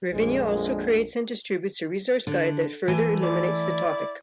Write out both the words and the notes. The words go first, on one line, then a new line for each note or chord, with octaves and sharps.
Ravinia also creates and distributes a resource guide that further illuminates the topic.
A#1 F2 G#3
D3
E3 A3 G#5
E4 D5